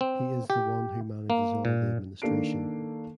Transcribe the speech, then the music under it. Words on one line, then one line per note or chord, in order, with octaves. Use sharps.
He is the one who manages all the administration.
C4
G4
A#3
A#2
D#3 A#3 D4 A4 C7 D7